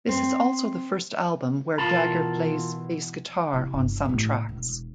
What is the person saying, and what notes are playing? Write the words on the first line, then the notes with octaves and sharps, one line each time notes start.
This is also the first album where Jagger plays bass guitar on some tracks.
C4
B2 E3 F4 A#4 A5
C3 E4
G1
A1 A2
E1